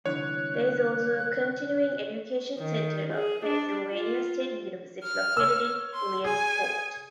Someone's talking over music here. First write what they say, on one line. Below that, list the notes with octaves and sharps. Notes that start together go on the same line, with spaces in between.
There is also a continuing education center of Pennsylvania State University located in Williamsport.
C2 D3 E3 C#5 F#6
D#3
G#4
D4
F4
F6
C#5 E6
C6
G#4 G#5